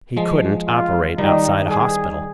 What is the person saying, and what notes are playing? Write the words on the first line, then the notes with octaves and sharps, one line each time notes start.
He couldn't operate outside a hospital.
F3 G#3
F4
D#3 G3 D#4
G#4